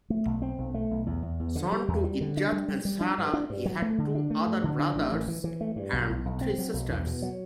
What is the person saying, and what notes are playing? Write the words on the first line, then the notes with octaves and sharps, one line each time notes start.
Son to Ezzat and Sara, he had two other brothers and three sisters.
A3
B1
C4
B1
A3
B1
E2
E2
E2
D3
G3
E2
G3
D3
D4
G3
G3
G3
D4
G2
D4
G2
F#3
A3
D3
D4
A3
G2
D3
D4
A1
E3
E3
E3
A3
G2
B1
B1
B1
C4
F#3
B1
E2
B2
F#3